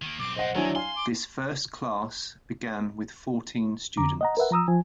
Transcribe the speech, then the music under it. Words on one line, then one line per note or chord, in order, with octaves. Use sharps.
This first class began with fourteen students.
D#3 A#3
B1 C4 D6
C5 D#5 F#5
D#3 F#3 D4 E4 G#5
F5 G#5 C6
D6
F2 D3 A#5 D6
D#5 F#5 A#5
A#4 B4 E5 F#5
F3 A#5 D#6 E6
F3 G#5